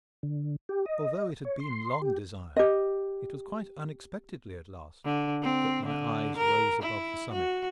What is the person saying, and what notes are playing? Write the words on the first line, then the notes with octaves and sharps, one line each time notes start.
Although it had been long desired, it was quite unexpectedly at last that my eyes rose above the summit.
D3
G4
D#5
C#5
C6
G4
G4 D#5
D3
C4
D3
A#4
E4
F#4